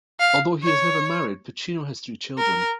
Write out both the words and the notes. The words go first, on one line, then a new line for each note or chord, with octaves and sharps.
Although he has never married, Pacino has three children.
F5
C#5
A#4